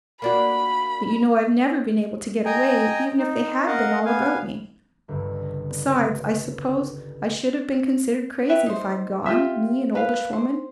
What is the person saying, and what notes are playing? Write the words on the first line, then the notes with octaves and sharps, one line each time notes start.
But you know I've never been able to get away, even if they had been all about me. Besides, I suppose I should have been considered crazy if I had gone, me, an oldish woman!
A#3 D4 F#4 B5
D#5 G5 G#5 A#5
D#4
A#4 D#5 F5 F#5
B3 F5 G#5
G1 C#2 G2 C#3
B4 C#5 E5 G5
D#4 C5
F4 G4 E5
B4 F5
C5